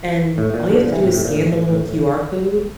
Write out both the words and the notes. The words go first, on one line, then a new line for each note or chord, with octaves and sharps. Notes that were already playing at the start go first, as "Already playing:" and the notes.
and all you have to do is scan the little QR code,
A2
A#2
A#2 D3
A#2 D3
C3 E3
A2 C3
A2 C3
A#2
A2
A2
A2
A2